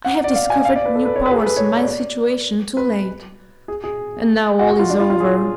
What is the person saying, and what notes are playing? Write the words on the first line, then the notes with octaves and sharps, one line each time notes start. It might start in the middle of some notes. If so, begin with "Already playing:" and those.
I have discovered new powers in my situation too late--and now all is over.
F#5
D5
F5
G#5
F5
D5
B4
A4
B4
C#5
B4
G#4
A4
B4
C#5
D5
D5
B4
G#4
G#4
F#4
F#4
F4
D4
F4
F4
G#4